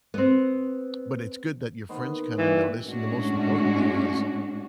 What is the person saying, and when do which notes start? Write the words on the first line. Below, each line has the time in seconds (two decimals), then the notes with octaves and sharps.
But it's good that your friends kinda noticed, and the most important thing is
0.14 B3 C4
1.89 D#3 B3 C5
2.38 A#2 D#3 E3 G3
2.86 A2 G#3 C#4 D4 F#4